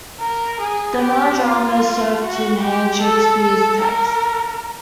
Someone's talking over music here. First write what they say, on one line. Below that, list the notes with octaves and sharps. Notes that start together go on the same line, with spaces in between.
The melodramas served to enhance Shakespeare's text.
A#4
G#4
G4
F4
F#4
G4
A4
A4
A#4